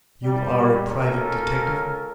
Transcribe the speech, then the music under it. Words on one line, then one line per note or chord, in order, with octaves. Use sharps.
"You are a private detective?"
G3
C#2 C#4 A4 A#4